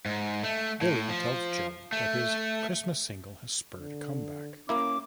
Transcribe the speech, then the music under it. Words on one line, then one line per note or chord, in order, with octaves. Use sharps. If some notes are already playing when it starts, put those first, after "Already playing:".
Billy tells Joe that his Christmas single has spurred a comeback.
G#2
A3
A2
F3
A3
D3
A#3 C#4 E4 D6